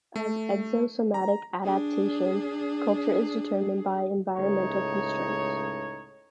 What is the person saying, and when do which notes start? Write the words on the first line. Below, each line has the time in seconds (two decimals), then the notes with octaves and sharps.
As exosomatic adaptation, culture is determined by environmental constraints.
0.16 A3
1.14 A#5
1.64 D4 G#4
4.37 C#2 A2 D#4 C#5